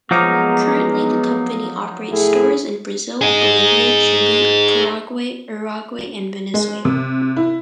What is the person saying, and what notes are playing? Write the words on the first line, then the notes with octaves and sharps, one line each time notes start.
Currently the company operates stores in Brazil, Bolivia, Chile, Paraguay, Uruguay and Venezuela.
F3 F#3 G#3 A#3 B3 D#4 D6 F6
A2 A3 E4 G#4
D#4 G#4
G#3
C3
E4